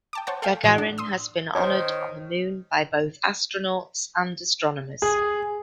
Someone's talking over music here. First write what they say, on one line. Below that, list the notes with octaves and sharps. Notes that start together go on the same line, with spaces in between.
Gagarin has been honored on the Moon by both astronauts and astronomers.
G5 A5 D6
C5 C#5 F#5 A5
A4 F5 G5
A2 E3 F#4
D4
C6 D#6 E6
D#3 C5 C#5
G#4